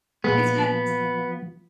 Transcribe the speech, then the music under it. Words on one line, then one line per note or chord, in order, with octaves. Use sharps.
it's got s
A#2 F3 G#3 B3